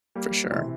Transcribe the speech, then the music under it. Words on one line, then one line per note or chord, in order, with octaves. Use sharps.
For sure.
G3 A#3
C3 E3